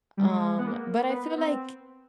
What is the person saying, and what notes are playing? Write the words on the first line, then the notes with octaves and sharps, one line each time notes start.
Um, but I feel like
G3
G#3
B3
A#3
B3
C4